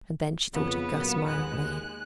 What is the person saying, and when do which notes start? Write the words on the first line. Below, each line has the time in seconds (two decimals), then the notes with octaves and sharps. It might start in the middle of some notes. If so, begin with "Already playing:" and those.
And then she thought of Guss Mildmay.
0.53 F2 C#3 B3
0.90 A#2 F#3 A#3
1.26 D#2 G#3 F#6